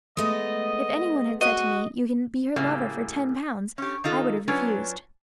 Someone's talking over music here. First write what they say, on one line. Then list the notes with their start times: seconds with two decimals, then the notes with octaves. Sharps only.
If any one had said to me, you can be her lover for ten pounds, I would have refused.
0.17 G#3 A3 B3 D#5
1.41 F#4 D#5
2.56 A2 C#3 F#3 G3 A#3
3.78 C#4 G4
4.04 D#3 D#4 F4 A4
4.48 F#3 C#4 D4 F4 B4 C#5